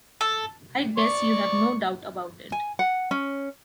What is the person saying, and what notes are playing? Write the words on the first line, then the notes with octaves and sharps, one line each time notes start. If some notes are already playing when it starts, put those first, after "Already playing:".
I guess you have no doubt about it.
A4
D5 C#6
G#5
F#5
C#4